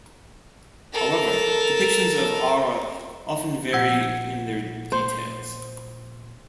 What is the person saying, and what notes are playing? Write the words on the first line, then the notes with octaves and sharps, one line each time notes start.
However, depictions of Ara often vary in their details.
A4 A#4
A#1 A#2 F#5 E6 G#6
C5